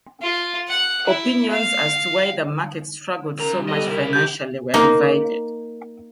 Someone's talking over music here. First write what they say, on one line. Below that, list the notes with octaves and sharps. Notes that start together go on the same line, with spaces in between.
Opinions as to why the market struggled so much financially were divided.
F4
F#5
E4
F5
C#3 A#4 A#5
G3
B1 A4 D#5
C3 E4 A#4
G4 G6
A#3 D#4